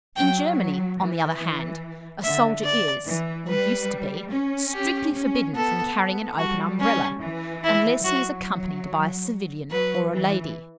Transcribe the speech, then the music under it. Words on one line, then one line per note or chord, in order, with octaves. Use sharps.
In Germany, on the other hand, a soldier is--or used to be--strictly forbidden from carrying an open Umbrella, unless he is accompanied by a civilian or a lady.
F#3 G5
E3
D3 E5
D5
E3
G3 B4
C#4
G4
C#4
B3 A4
G3 F#4
C#4
E3
E4
F#3 F#4
F#3 B4
E3